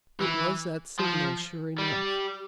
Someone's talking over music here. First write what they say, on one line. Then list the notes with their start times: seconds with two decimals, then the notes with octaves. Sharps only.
It was that signal, sure enough.
0.21 E3
0.99 F3
1.78 G3